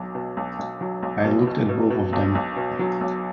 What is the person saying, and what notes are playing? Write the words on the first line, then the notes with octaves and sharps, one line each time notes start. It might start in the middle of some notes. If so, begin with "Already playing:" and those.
I looked at both of them.
Already playing: B1 F#3
B2
B1
B1
F#3
B1
B2
B2
B2
B2
B1
B1
B2
F#3
B1